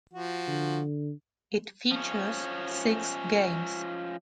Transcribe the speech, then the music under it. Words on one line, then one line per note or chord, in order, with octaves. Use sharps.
It features six games.
F3 F#4
D3
F3 C#4